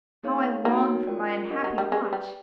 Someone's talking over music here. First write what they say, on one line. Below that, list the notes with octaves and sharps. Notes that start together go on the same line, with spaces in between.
How I longed for my unhappy watch!
A#3 D#4 G#4 C#5 F5
A#3 B3 D#4 F#4 A4 C#5
C#4 F4 A#4 D5 G5
D4 G4 A#4 D#5 F#5
F#3
G3
G#3 G4 B4 D5
G3